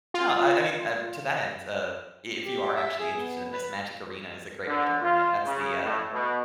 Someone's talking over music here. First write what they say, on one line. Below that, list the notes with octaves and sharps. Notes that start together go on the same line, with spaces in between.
No, I I mean, uh, to that end, uh, if you are actually interested in this, Magic Arena is a great way to learn it. That's the, uh,
F4
G4
E5
G#4
B3
B4
D3
F4
C#3
A2
B2